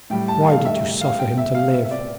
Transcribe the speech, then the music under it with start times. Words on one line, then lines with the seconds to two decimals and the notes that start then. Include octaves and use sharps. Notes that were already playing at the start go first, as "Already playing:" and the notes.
"Why did you suffer him to live?"
0.10 A2 G3 G5
0.28 A5
0.47 F5
0.65 E5
1.01 F5
1.19 G5
1.38 E5
1.55 F5
1.73 E5
1.84 E5
1.91 D5